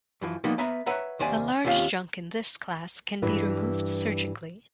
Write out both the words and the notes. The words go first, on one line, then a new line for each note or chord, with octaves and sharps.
The large junk in this class can be removed surgically.
F#2 E3 F3
F3 G3 A#3 B3 D#4
B3 B4 E5 A#5
B4 C#5 E5 F#5 A#5
D#2 C3 C5 D5 G#5
D#2 C3 C#4 F4 A4 F5
G2 E3 E4 B4